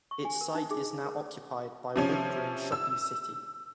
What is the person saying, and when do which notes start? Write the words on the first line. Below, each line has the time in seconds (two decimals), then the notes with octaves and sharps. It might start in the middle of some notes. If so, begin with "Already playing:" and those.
Its site is now occupied by Wood Green Shopping City.
0.11 C#6
0.25 G#5
0.41 A#4
0.55 D#4
0.71 G#4
1.05 A#4
1.96 C3 F3 C#4
2.72 E6